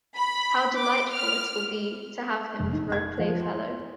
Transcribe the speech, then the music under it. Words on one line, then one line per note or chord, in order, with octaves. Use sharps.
How delightful it will be to have him for a playfellow!
B5
D6
F6
F1
D#4
G#6
F3
C6